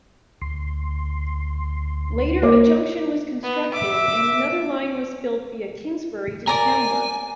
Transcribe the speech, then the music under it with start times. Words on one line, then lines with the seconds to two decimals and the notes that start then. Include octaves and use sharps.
Later a junction was constructed and another line was built via Kingsbury to Tamworth.
0.42 D2 C6
2.42 A#3 C#5 D6
3.43 B3
3.73 E5 D6
6.47 A#4 D5 G#5 A#5